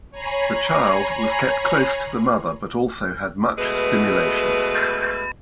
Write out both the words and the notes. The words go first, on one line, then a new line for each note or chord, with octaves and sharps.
The child was kept close to the mother but also had much stimulation.
C#5 G#5 A#5 B5 B6 C7
B2 G#3 A3 B4